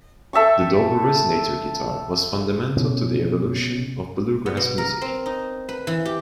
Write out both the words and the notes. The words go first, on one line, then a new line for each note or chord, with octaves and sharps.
The Dobro resonator guitar was fundamental to the evolution of bluegrass music.
A4 E5 G5 C#6
B2 C#4
B3
B2
A#4
C4
D#4
B4
E3
G4